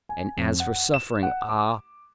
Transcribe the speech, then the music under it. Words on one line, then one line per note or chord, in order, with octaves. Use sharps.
And as for suffering--ah!
G#5
F2
F#5
E7
F#5
D6